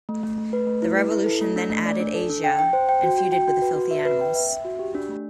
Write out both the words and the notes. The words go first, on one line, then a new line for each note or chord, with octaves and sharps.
The Revolution then added Asya and feuded with The Filthy Animals.
A3
A3
A3
B4
A3
E4
B4
E4
A4
A3
D4
A3
D5
D4
A4
D4
G5
G5
C5
G5
F#4
F#4
G5
F#4
B4
F#4
E5
B4
G5
E5
E5
F#4
G4
D4
A3